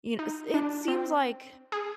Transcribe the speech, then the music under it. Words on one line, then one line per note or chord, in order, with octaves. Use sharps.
y kn s it seems like,
D#4
D4
C4
G#4